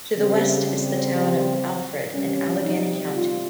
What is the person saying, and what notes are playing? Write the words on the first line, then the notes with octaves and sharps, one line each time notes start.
To the west is the Town of Alfred in Allegany County.
C#3 G3 C4
C4
C3 G3 C#4
D#4
F4